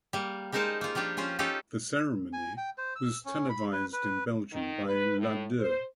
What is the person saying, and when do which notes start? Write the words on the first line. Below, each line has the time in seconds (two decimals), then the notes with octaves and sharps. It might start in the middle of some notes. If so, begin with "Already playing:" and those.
The ceremony was televised in Belgium by La Deux.
0.13 G3 A#3
0.52 G3 G#3 D#4 A#4 C5 A5
0.81 A#3 F4
0.95 F3 G3 D4 G4
1.17 F3 C#4 F4 C5
1.39 C#4 D#4 F4 G4 A4
2.33 G#5
2.57 G5
2.78 C5
2.96 E6
3.26 C#4
3.49 B5
3.73 B4
3.93 B4
4.53 D#3
4.86 B4
5.18 A2
5.60 C5